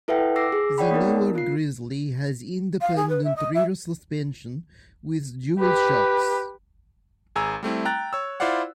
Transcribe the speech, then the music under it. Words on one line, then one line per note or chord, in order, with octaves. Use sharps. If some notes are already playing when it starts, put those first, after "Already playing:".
The newer Grizzly has independent rear suspension with dual shocks.
E4 A4 B4 E5 F#5 G5
D6 E6 A#6 C7
G#4
C#5 D5 F#5 G5 B5
A#3 B3 D#4 A#4
F4 C7
F5
G#4
B4
E5
D#5
E5
G4 B4
G#1 G#4 G#5 A#5 E6
G3 A3 C4 E4
G5 A#5 F#6 A6
C#5 E6
E4 F4 C5 D5 F5 F#5